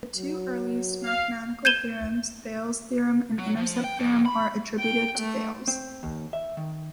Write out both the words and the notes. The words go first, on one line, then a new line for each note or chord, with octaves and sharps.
The two earliest mathematical theorems, Thales' theorem and Intercept theorem are attributed to Thales.
F#3
F5
G6 G#6 D#7 E7 G7
F#3
F3
G5
F2
B5
G5
A3
C4
D#2
E5
D#3